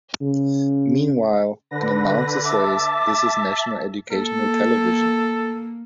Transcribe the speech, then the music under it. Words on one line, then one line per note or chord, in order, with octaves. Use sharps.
Meanwhile, an announcer says, This is National Educational Television.
C#3
D3 B4 A#6
E5 A5 D6
A#3 A4